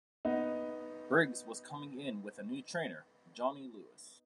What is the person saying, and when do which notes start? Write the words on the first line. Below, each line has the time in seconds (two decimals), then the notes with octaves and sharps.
Briggs was coming in with a new trainer, Johnny Lewis.
0.25 B3 D#4